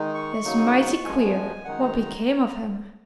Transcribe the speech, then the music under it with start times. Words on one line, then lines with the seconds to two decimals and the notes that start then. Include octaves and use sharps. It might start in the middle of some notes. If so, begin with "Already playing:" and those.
"It's mighty queer what became of him."
Already playing: D#3 G#3 D#4
0.14 C#6
0.44 C#3 F#3 A#3 D#4
1.05 F#2 F3 G#3 G#5
1.65 F#2 D#3 G#3 D#4 F#5
1.80 A#5